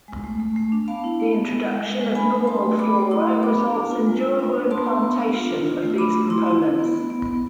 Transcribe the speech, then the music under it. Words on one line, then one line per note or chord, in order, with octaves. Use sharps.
The introduction of normal flora results in durable implantation of these components.
G#3
A3
A3
A3
D4
B3 F5 A5
E4
B3
B3
G#3
G#3
G#3
G#3
D4 G#5 B5
A3
A3 A5 C6
A3
A3 B5 D6
A3
E4 C6 E6
A3
B3 B5 D6
D4
B3
F4
G#3
F4
D4
D4
B3 A5 C6
B3
B3
D4
F4
D4
F4
A3
E6
A3 B5 D6
A3
E4 C6 E6
E4
E4
B3
B3
B3
B3